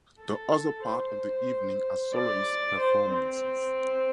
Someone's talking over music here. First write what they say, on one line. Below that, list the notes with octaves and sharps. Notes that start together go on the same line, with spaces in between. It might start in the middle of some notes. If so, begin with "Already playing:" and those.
The other part of the evening are soloist performances.
A4
C5
D5
C5
C4